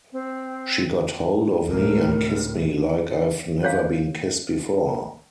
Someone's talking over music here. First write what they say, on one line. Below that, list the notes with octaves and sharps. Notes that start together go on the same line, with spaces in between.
She got hold of me and kissed me like I've never been kissed before.
C4
D2 A2 C3 A#4
C5 C#5 F5